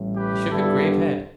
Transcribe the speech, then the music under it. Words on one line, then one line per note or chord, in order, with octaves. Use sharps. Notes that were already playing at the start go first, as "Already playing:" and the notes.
He shook a grave head.
Already playing: A1 A2 G3
G4 B4
G1 G2 D3 G3 E4 A4